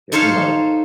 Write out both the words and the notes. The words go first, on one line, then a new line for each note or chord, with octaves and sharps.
eh, you know?
D#4 A4 C5 C#5 F5